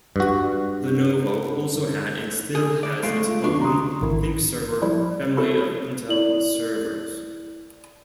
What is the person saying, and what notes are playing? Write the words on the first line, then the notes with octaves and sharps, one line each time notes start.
Lenovo also had and still has its own ThinkServer family of Intel servers.
G2 F#4
G#4
D5
G#3 A3 F5 C7 D7
F4 F5
D#2 F#3 D4 C#6
A#5 C6 D#6
A1 G#2 D#3 E4
F3 G3 E4
E4 F#4 A4
E4 D5 F#7